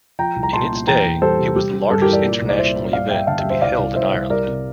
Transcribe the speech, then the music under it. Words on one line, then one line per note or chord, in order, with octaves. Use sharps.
In its day, it was the largest international event to be held in Ireland.
F3 G5 A#5
C2
A#5
A#2 A5 C6
A#2
E2 G5 A#5
E2
G3 A4 C5
C3
G3 G4
G3
G2 A4
G4 A#4
E3
A#4 D5
A#2
C2
D5
A#2 C5 E5
A#2
G2 D5 F5
G2 E5 G5
D3 F5 A5
E5 G5
G3
C5 E5
C2 D5 F5
C2
C2 C5 E5
C2
G3 A#4 D5
C3